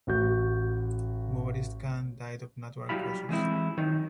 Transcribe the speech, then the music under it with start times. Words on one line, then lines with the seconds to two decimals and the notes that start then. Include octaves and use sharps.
Mubariz Khan died of natural causes.
0.07 A1 F#4 G6
2.89 F#3 G3 E4 G4 F5 B5
3.29 E3 G#3 C4 E4
3.77 D#3 F#3 D#4